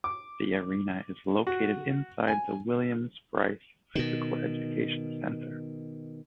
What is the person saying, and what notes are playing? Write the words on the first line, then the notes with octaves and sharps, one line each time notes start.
The arena is located inside the Williams Brice Physical Education Center.
D6
F#4
G#5
B2 D#3